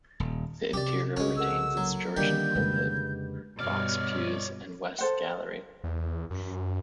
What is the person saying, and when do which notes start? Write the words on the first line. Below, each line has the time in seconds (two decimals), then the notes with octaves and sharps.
The interior retains its Georgian pulpit, box pews and west gallery.
0.20 D#1
0.73 C3 G4 D5
1.17 C2 C#3 G#3 C#4 F#4
1.37 A4 A#4 F#5 E6
1.77 F#3 A#3
2.17 A#2 D3 D#3 G3 C#4 D4 G6
2.55 F2 C#3 G#3 G4 B4
3.60 G2 B2 C#5 D5 F6
4.98 A4 C5 F#5
5.84 E2
6.30 F#2